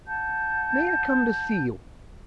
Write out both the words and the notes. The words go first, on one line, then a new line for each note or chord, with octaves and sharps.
May I come to see you?
F#5 A5 G6